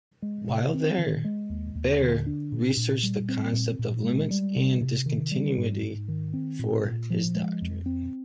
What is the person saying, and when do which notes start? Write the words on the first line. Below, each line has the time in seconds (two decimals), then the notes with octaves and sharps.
While there, Baire researched the concept of limits and discontinuity for his doctorate.
0.22 G#3
0.48 C3
0.74 C4
0.98 D#3
1.25 G#3
1.50 D#2
1.75 D#2
2.01 D3
2.27 D4
2.52 A#2
2.77 A#2
3.03 G3
3.29 C4
3.53 A#2
3.79 A#2
4.04 G#3
4.31 G3
4.56 C3
4.81 C3
5.06 D#3
5.31 G3
5.57 G#2
5.82 G#2
6.08 D#3
6.33 C4
6.59 A#2
6.85 A#2
7.10 F3
7.35 G#3
7.62 F2
7.86 C4